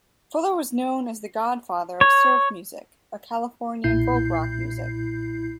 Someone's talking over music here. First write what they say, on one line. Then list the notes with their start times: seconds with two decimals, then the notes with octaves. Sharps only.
Fuller was known as the "Godfather" of surf music, a Californian folk rock music.
2.01 C#5
3.84 B1 A#2 E4 G6 C7